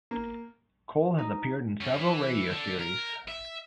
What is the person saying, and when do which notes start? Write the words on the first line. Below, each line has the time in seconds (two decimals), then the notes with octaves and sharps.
Cole has appeared in several radio series.
0.11 A#3
1.18 D#4
1.81 F#2 C#4
1.99 E3
2.51 D3
2.81 A#4
3.28 E5